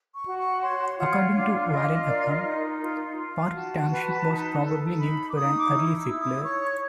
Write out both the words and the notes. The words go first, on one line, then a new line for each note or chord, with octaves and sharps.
According to Warren Upham, Parke Township was probably named for an early settler.
C#6
F#4
C#6
C#5 C6
F4 F#5
D4 F5
F4 D#5
A#4 D5
D5
D#5
D#4 D#5
F4
F4
F#4 A5
B4
D#4
A4
D#4 B5
D6
D#4 D#6
D6
E4 D#6
E6
E4
D#6
C#5 C#6